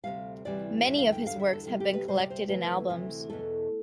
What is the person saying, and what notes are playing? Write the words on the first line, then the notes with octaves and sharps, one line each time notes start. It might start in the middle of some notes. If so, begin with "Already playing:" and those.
Many of his works have been collected in albums.
D2 C3 E3 G3 F5
D2 C3 E3 G3 D5
E2 D3 G3 E5
F5
G5
E2 D3 G3 F5
E5
A4
D2 C3 G3 G4
G4
B4
D2 C3 G3 C5
D5
C5
D2 C3 E3 A3 B4
D2 C3 E3 A3
E2 B2 A3 A4